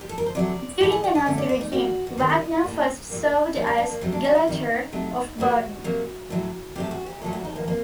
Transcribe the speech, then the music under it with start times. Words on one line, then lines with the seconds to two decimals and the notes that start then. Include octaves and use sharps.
During the Nazi regime, Wagner first served as Gauleiter of Baden.
0.01 G4
0.09 A4
0.18 A#4
0.26 C5
0.35 C3 F#3 A3 D5
0.81 A2 A3 D5
0.92 D#5
1.04 D5
1.15 D#5
1.26 D3 A3 D5
1.38 D5
1.49 D5
1.61 D#4
1.72 A2 G3 A#3 F#4
2.07 F#4
2.17 C3 D#3 F#3 A3 G4
2.29 A#4
2.41 D#5
2.52 D#5
2.64 A2 G3 A#3
3.10 A#2 G3 A#3
3.55 C3 G3 A#3 D#4
3.67 D4
3.78 D4
3.90 A#3
4.01 C3 F#3 A3 C4
4.12 D4
4.24 F#4
4.35 D#4
4.48 C3 D#3 G3 A#3
4.93 C3 F#3 A3
5.38 A#2 G3 A#3 F#4
5.84 C3 F#3 A#3
6.30 A2 F#3 A3
6.75 C3 F#3 A3 G4
6.91 F#4
7.06 G4
7.22 A#2 F#3 A3 A4
7.33 F#4
7.45 D#4
7.56 A#3
7.68 A#3 C4